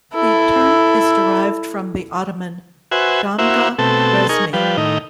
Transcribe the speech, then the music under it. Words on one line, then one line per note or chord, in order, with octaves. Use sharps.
The term is derived from the Ottoman damga resmi.
E4 A4
F#4 B4 C5 E5 G#5
A#3 E4 F#4 C5 E5
B2 A3 C4 A4
D#4 G#4 A#4 C#6
F3 G3 B4
A2 D#3 D#4